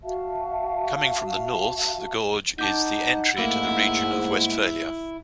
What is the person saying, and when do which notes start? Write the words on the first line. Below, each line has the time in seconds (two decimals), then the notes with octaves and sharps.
Coming from the north, the gorge is the entry to the region of Westphalia.
0.03 F#4 E5 F5 A5
2.59 D#4 F#5 A5 D6 G6
3.38 G#2 A3 A#3 E4